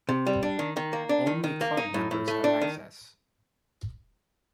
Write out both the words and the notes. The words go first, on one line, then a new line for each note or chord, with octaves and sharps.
Only club members have access.
C3
G3
D4
D#3
D#3
A#3
D4
D#3
D#3
A#3
D#4
A2
A2
A3
D4
D#3